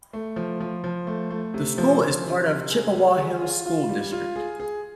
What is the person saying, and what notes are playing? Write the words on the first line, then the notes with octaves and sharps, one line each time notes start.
The school is part of Chippewa Hills School District.
A3
F3
F3
F3
A3
A3
C3
F3
F3
C3
C3
G#4
G3
G#4
F4
F4
G3
F4
G#4
G#4